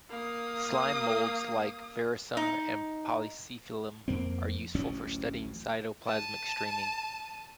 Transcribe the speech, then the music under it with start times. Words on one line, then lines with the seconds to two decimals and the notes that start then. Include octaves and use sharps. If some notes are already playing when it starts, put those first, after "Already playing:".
Slime molds like "Physarum polycephalum" are useful for studying cytoplasmic streaming.
0.10 A#3 D#6
2.37 D#4
4.08 F2 A#3 C4
4.75 A1 D2 F#3 C#4
6.06 A5 D#7